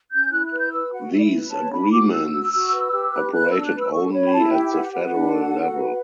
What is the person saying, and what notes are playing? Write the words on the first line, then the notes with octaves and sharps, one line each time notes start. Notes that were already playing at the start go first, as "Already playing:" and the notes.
These agreements operated only at the federal level.
C#4 G6
E4 F#6
F#6
B4
G6
B4 E6
F#4 F#5
E4 E5
D5
E5
B4
C#5 A5
D4 B5
F#4 D6
F#4 E6
F#4
F#4
B4
G4
B4 F#6
B4 F#6
D4 E6
F#6
B4
E6
A4 C#6
C#5 B5
G5
E4 A5
G4 G5
B4 F#5
B4 F#5
D4
A4
F#4
B4